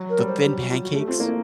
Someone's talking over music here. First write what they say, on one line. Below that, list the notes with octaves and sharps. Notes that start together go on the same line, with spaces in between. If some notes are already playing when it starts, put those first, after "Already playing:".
the thin pancakes?
Already playing: F#3
A#4
G3
C5
G4
F#4
F4
F#4
A3 G4
C4 F4
A#3 E4